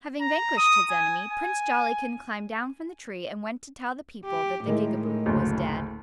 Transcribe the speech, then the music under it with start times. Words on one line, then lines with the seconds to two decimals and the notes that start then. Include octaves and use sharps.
Having vanquished his enemy, Prince Jollikin climbed down from the tree and went to tell the people that the Gigaboo was dead.
0.21 A#5
0.57 D#6
0.91 G#5
1.32 G#5
4.25 G4
4.67 A2 D#3 G#3 E4
5.26 F#1 D2